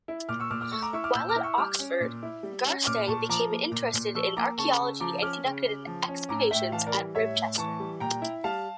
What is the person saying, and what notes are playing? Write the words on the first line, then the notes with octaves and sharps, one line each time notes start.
While at Oxford, Garstang became interested in archaeology and conducted excavations at Ribchester.
E4
A#2 D6 F6
C#6 E6
A#2 D6 F6
D6 F6
A3 C#6 E6
A#5 D6
E4 C#6 E6
D6 F6
A#2 E6 G6
D6 F6
E4
C#6 E6
G3 D6 F6
C#4
A#2
E4
G3
C#4
A#2 D6 F6
A#2 A5 C#6
F3 A#5 D6
A#3
A#2
A#2
F3 C#6 E6
A#3 A#5 D6
C#3 A5 C#6
C#3
F3 A#5 D6
C#4 D6 F6
C#3
C#3
F3
C#4
A2 A#5 D6
A2 E5 G5
E3 F5 A5
A#4 D5
G3
A2 C#5 E5
A2
E3 A5 C#6
G3
A#2 G5 A#5
E4
G3 F5 A5